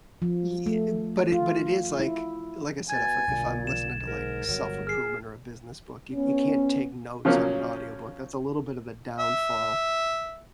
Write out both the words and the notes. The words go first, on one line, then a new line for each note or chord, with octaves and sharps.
Ye i but it but it is, like, like I said, if I if I'm listening to, like, self-improvement or a business book, you you can't take notes on an audiobook. That's a little bit of a downfall.
F3
A3
F4
E4
B2 G#5 G#6 A6
B1 A#2 D3
E7
G#2 A#4
G1 F#3
G#4 F6 C7
B3 C#4
C#3 F3 F#3 A#3 C#4
E5